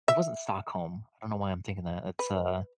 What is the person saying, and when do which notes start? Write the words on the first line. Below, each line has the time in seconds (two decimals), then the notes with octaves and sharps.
it wasn't Stockholm, I don't know why I'm thinking that, that's uh
0.08 E5
2.19 B4